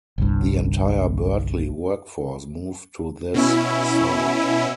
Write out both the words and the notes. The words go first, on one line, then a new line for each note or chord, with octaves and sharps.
The entire Birtley workforce moved to this site.
G1 C2 G2
B2 C#4 E4